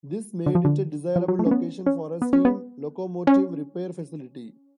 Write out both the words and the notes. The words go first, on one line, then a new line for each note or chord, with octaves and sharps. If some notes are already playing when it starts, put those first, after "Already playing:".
This made it a desirable location for a steam locomotive repair facility.
D3
F3
D3
F3
F#3
A3
C#4
B3
C#4
B3
C#4
B3
C#4